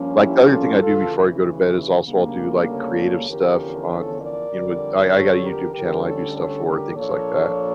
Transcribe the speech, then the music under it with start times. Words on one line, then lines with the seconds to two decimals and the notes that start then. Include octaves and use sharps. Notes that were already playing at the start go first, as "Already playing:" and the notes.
Like, the other thing I do before I go to bed is also, I'll do, like, creative stuff on, you know I I got a YouTube channel I do stuff for, things like that.
Already playing: G2 F3 A#3 C#4
0.21 E4 G4
0.52 F4 A4
0.82 D2 C#3 E3 F4 A4
2.05 D2 C#3 G3 A#3 D4
2.67 A4 C#5
3.28 E2 D3 F3 C#4 G4 A#4
3.89 A4 C#5
4.21 A#4 D5
4.51 F2 D3 G3
5.12 A4 C#5
5.43 G4 A#4
5.74 D2 D3 G3 C#4 G4 A#4
6.04 A4 C#5
6.35 A4 C#5
6.66 G4 A#4
6.96 A#2 F3 A#3 D4 A4 C#5